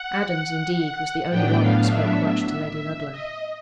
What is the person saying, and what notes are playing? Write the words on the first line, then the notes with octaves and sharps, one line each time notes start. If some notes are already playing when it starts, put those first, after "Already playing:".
Adams, indeed, was the only one who spoke much to Lady Ludlow.
Already playing: F#5
A2 F#3 B3 D4 G5
F5
E5
D#5